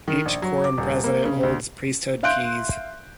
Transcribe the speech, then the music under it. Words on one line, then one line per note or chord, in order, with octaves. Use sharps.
Each quorum president holds priesthood keys.
D#3
A#1
F#3
D6
D#1
A#3
C#3
D2
E5 F5 C6 F#6 G6 D7